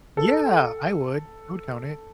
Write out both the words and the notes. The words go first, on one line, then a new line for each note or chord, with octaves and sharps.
Yeah, I would, I would count it.
A4